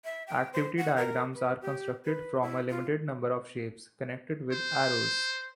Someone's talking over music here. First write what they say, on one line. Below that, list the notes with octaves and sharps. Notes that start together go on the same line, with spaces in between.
Activity diagrams are constructed from a limited number of shapes, connected with arrows.
E5
G5
C5
F#5
A#4
B4
G4
B4
E4
F4
C5